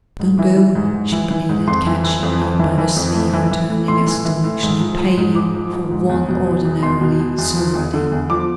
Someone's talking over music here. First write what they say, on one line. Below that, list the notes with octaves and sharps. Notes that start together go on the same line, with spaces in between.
"Don't go," she pleaded, catching me by the sleeve and turning astonishingly pale for one ordinarily so ruddy.
G#2
E3
E3
G#2
G#2
E3
E3
G#2
F2 C6
E3
E3
F2
F2
E3
E3
F2
A2
E3
E3
A2
A2 C6
E3
E3
A2
G#2
F3
F3
G#2
G#2 D6
F3
F3
G#2
E2
B2
B2
E2
E2 C6
B2
B2
E2
F3
E2
D3
E2
F3 D6